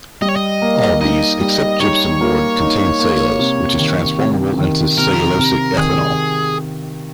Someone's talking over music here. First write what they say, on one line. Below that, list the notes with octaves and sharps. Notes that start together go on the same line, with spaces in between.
All these, except gypsum board, contain cellulose, which is transformable into cellulosic ethanol.
G3 D#5
C#5
D#5
A#3
D#4 D#5
G3
D#4 C#5
A#3
D#4
A#3
C3
D#3
C3
D#3
C3 A#4
C3
D#3 G#4